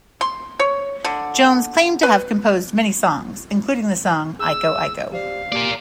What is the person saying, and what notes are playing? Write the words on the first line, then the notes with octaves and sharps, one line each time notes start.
Jones claimed to have composed many songs, including the song Iko Iko.
C6
C#5
D3
B4
G#4 E6
G4 C5 D5 F5
A#3 G4 A#4 D5 G#5